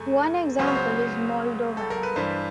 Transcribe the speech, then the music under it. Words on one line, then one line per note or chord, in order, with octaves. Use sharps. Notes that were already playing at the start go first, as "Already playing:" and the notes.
One example is Moldovan.
Already playing: F#2 C#3 A3
C#2 C#3 F#3 B3 C5
C#5
C5
A4
A#4
B4
G2 E3 G3 C5